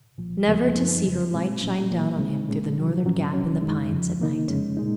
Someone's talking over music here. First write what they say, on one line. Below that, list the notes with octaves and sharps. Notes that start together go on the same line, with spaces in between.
Never to see her light shine down on him through the northern gap in the pines at night!
C2 A#2 F3
D#2 C#3 F3 A#3
F#2 F3 C4 D#4
F2 C#3 F#3
A#2 G#3 C4
A#2 F#3 C#4
A#2 F#3 A#3
C#2 C#3 G#3 C4 D#4
A#2 G#3 C#4
C3 D#3 F#3
G#2 F#3 C#4
C2 C3 F#3 C#4
F#2 D#3 G#3 D#4
F2 C#3 F3
C3 D#3 A#3 D#4
F2 C#3 G#3 C#4
A#2 G#3 D#4